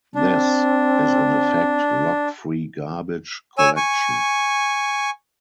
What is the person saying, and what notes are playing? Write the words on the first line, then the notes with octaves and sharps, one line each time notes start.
This is in effect lock-free garbage collection.
C4 D4
C#5 G#5 E6
G#5 C#6